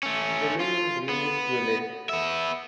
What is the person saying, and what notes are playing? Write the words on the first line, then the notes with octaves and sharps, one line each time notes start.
They live in Greenwich Village.
A3 C#4
F4
B3
B3 E5